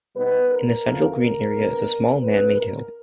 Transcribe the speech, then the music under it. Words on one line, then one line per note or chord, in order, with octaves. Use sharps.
In the central green area is a small man-made hill.
B2 G3 B3 D#4 B4
A#4
E2 C#3 F3 A3 C4
A#4
D3 G3 B3
A2 F3 G#3 C#4 B4
A#4